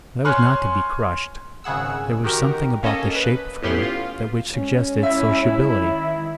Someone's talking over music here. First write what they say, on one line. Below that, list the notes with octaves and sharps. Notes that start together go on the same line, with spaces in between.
But I was not to be crushed; there was something about the shape of her that which suggested sociability.
C#5 G#5 C6 C#6 F6 F#6
G#1 C#3 G#4 F#5 E6
D#3 F#4 G4 A#4
A#3 C#4 A4 D#5
B4
A2 B3 C#4 G4 B5 C6
F4
G#3 C#4
E4 E5
D#3